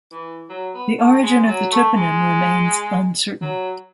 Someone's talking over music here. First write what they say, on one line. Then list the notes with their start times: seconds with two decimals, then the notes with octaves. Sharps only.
The origin of the toponym remains uncertain.
0.12 E3
0.49 F#3
0.74 B3
0.98 A3
1.23 G#3
1.47 F#3
1.72 A3
1.96 G#3
3.42 F#3